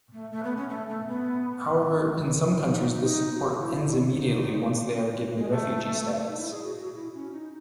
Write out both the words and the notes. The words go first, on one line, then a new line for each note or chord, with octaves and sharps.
However, in some countries this support ends immediately once they are given refugee status.
A3
A3
B3
C#4
A3
A3
B3
C#4
D#4
D#4
F#4
F#4
E4
D#4
C#4
G#3
A3
D#4
E4
G#4
F#4
F#4
E4
C#4
D#4